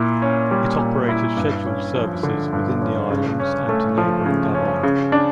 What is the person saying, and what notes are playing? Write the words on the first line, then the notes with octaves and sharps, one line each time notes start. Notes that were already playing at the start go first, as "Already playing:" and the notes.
It operated scheduled services within the islands and to neighbouring Gabon.
Already playing: A#2 E4
C#4
G3
A#2
E4
G2
C#4
F3
D3
G2
C#4
C#3
C#4
A3
F3
C#3
C#4
C#3
D4